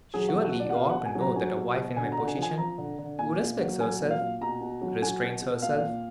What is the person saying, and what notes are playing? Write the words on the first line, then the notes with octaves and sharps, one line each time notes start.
Surely you ought to know that a wife in my position, who respects herself, restrains herself.
F#3 G#4
F#4
B2
F#4
B2
D5
F#5
B2 F5
F#5
B2
G#5
F#3
A#5
F#3 G#5
B2
B2
D3 G#5
A#5
D3
G#5
F3
G#5
F3 A#5
D3
D3
A#2 G#5
A#2
F#3
F#3 G#5
A#2
F5
A#2
B2 A#5
B2
F#3
F#3 G#5
B2
B2
A#2 F5
A#2